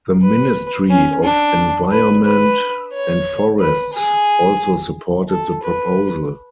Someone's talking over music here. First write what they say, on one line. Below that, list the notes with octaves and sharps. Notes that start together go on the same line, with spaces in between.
The Ministry of Environment and Forests also supported the proposal.
B4
C#4
D4
B4
B4
C#5
B4
G#4
A4
B4